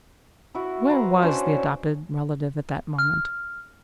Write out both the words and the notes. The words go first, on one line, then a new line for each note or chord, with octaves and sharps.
Where was the adopted relative at that moment?
E4 F#4
B4 C5 A#5
C#4 D4 C5 C#5
F6